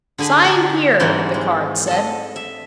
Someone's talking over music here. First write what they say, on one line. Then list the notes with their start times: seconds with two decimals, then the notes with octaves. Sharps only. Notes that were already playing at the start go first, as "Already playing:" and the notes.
Sign here, the card said.
0.18 D3 G#4 G#5 B5
0.44 G4 G#4 A#4
1.00 G#2 E3 F#3 G3 C4
1.34 G#3
1.87 A4 D#5
2.36 E5